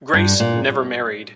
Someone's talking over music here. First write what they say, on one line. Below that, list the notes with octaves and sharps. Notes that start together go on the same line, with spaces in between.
Grace never married.
G2
A#2